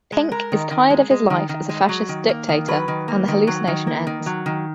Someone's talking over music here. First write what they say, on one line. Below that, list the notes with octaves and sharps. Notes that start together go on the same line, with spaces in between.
Pink is tired of his life as a fascist dictator and the hallucination ends.
G#3
G#3 A#4
D#3
D#3
G#3
G#3
D#3
D#3
G#3
F#3
D#3
A#3
D#3
F#3 B4
D#3
A#3
D#3
F#3
D#3
A#3
D#3
F#3
D#3